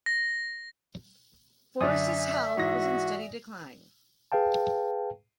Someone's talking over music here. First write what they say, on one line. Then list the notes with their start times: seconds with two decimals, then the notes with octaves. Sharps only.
Forrest's health was in steady decline.
0.06 A#6
1.81 F#2 D3 D5 E5 G#5 D#6
2.57 G#2 E3 F#4 A#6
4.32 G#4 B4 F5 G5 A5